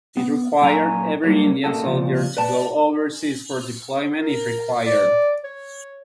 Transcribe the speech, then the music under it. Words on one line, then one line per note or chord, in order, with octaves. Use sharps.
It required every Indian soldier to go overseas for deployment if required.
B3
A#2 F#3 C#4 G#5 A#5
F#3 G3 A#3
A#3 F#4 A4
A#2 C#3 F3
B4 D5 A5
A#4
D5
C#5